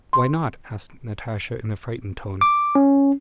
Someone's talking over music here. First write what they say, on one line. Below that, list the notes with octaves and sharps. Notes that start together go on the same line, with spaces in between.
"Why not?" asked Natasha in a frightened tone.
C6
D6
C#4